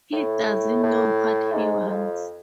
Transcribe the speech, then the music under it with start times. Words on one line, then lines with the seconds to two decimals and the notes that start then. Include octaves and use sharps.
He doesn't know what he wants.
0.13 A2
0.83 A2
1.52 G#2
1.87 F2